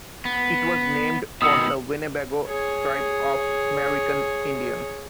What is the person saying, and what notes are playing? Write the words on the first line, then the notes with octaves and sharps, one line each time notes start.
It was named for the Winnebago Tribe of American Indians.
B3
B2 D#3 D#6 E6 C#7
G#4 C#5